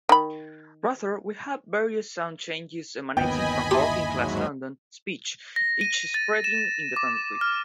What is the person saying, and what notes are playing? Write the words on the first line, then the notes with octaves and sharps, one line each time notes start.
Rather, we have various sound changes emanating from working-class London speech, each spreading independently.
D#3 B5
G1 D#2 B3 D#5 G5 G#5 B5
E4 G4 A5 C6
G#2 F#3
A#6
D#7
A6
E7
D6
F6